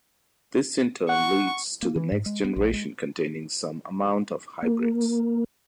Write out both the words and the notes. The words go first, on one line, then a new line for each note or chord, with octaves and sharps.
This in turn leads to the next generation containing some amount of hybrids.
F#5 C#6
A#3
E3
G#2
G#3
B3
A#1
G#3
A#3